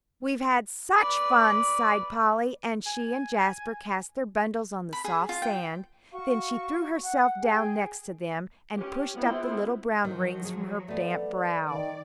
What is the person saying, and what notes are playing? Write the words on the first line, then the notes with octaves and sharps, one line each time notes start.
"We've had such fun," sighed Polly, and she and Jasper cast their bundles on the soft sand; then she threw herself down next to them, and pushed up the little brown rings from her damp brow.
B4 D5
G#5
B5
G#4
F4
G5
F#4 F5 C#6
F#5
G#4 G5 G#5
C#4 G4
B3 C4 E4 F4 G#4
D#3 F3 F#3
G#4
A3 B3 D5
D#3 D5